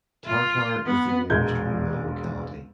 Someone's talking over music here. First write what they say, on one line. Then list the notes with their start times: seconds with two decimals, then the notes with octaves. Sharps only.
Tartar is the nearest rural locality.
0.25 F4
0.84 B3
1.30 E1 A#1 G#3 A#4 G6 G#6